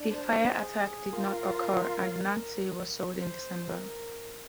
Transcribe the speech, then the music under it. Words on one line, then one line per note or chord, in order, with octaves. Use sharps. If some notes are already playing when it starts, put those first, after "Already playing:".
The fire attack did not occur and "Nancy" was sold in December.
Already playing: D4
C5
G#4
F4 A#4
A#4
C5
A#4